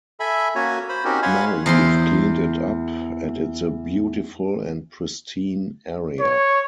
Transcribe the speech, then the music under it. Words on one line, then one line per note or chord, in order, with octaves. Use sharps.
Now we've cleaned it up, and it's a beautiful and pristine area.
A4 E5 G#5 B5
A#3 C#4 F#4 C#5 G#5
C5 B5
C4 C#4 D#4 F#4 G4 A#4
C#5 F5 F#5 G#5 B5 C6
E2 C5 C6
C#5